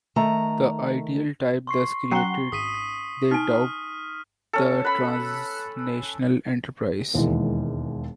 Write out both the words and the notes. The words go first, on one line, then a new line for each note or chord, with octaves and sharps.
The ideal-type thus created, they dubbed the "transnational enterprise".
D#3 A3 A#5
C6 C#6 C7
F#3 C#4 F#5 G5 A#5 C7 G7
G#1 D#6 B6 D#7
D#4 G#5 F6
C#4 A4
B4 B5
E1 D#2 E3 G#3